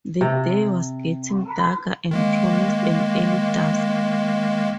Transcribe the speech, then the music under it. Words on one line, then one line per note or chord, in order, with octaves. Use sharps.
The day was getting darker, and promised an early dusk.
C3
D#3 G#3 A#3